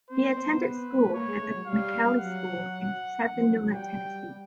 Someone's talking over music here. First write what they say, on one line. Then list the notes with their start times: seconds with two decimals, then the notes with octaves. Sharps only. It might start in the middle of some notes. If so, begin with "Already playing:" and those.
He attended school at The McCallie School in Chattanooga, Tennessee.
0.10 C4 C5
0.22 B3
0.36 C4
0.49 B3
0.63 B4
1.04 A3
1.13 A#3 C#5
1.27 G#3
1.40 A3
1.53 F#3
1.66 G3 F5
2.18 F#3 F#5
3.35 F3
3.49 F#3
3.62 F#3
3.74 G3 G5